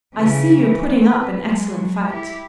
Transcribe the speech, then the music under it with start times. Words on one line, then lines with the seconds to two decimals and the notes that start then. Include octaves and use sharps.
"I see you're putting up an excellent fight."
0.14 C#3 E3
0.59 E3 F3
1.02 C4 B4
1.39 F#3 G#3
1.70 F#3
2.06 E4 G4